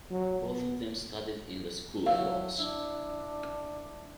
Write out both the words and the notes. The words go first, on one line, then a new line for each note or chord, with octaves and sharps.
Both of them studied in the School of Laws.
F#3
B3
F#3 E4 F5
D4 E4